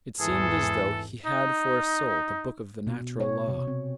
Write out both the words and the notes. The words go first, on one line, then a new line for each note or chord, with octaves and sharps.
It seemed as though he had for a soul the book of the natural law.
G#1 E2 G#2 E3 G#4 A4
D#4
B2
C#5
C3
C4